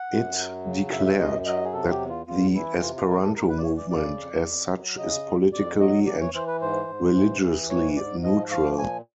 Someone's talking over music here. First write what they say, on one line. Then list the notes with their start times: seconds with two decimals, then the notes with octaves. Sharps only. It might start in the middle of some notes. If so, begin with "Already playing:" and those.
It declared that the Esperanto movement as such is politically and religiously neutral.
Already playing: F#5
0.11 F#2
0.38 F#3
0.65 C#3
0.92 F#2 E5
1.06 E5
1.19 F#2 D#5
1.46 F#3 D#5
1.65 G#4
1.73 C3 A4
1.91 G4
2.00 E2
2.09 F4
2.27 E2 F4
2.55 E3 E4
2.82 C3 F4
2.96 F4
3.09 E2 A#4
3.23 A4
3.35 E2 A#4
3.49 B4
3.58 D5
3.63 E3 C#5
3.77 D5
3.90 C#3 D5
4.17 F2
4.44 F2
4.71 F#3
4.98 C#3 D#5
5.25 F2
5.53 F2 D5
5.80 F#3 D#5
6.07 E3 D5
6.21 C#5
6.34 E3 C5
6.47 B4
6.61 G#2 C5
6.88 G#2
7.15 E3
7.42 E3
7.69 G#2 C#5
7.97 G#2 D5
8.24 F3 D#5
8.51 F3 F5
8.78 A#2 G#5